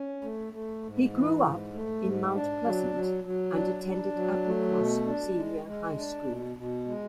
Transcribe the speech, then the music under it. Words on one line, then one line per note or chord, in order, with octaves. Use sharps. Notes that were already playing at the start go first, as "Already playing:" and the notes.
He grew up in Mount Pleasant and attended Applecross Senior High School.
Already playing: C#4
A3
A3
G#2
E3
G#2
A3
G#2
D4
F#3
F#3
F#3
D4
D4
F#3
A3
B2
D4
G#3
G#3
D4
B2
B2
G#3